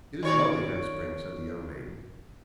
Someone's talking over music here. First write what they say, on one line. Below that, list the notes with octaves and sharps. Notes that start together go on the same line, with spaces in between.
"It is lovely here in spring!" said the young maiden.
D#3 C#5 D5